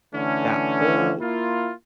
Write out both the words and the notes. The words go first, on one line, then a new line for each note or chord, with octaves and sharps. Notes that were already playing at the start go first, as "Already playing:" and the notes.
That whole
D3 E3 A3 C#4
A#3 E4 F4